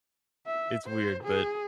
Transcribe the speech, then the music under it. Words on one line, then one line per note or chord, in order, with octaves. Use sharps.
It's weird, but,
E5
C5
G#4